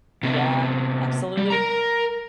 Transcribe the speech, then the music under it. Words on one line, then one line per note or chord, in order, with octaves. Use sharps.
Yeah, absolutely.
C3 B3
G3
A#4 A#5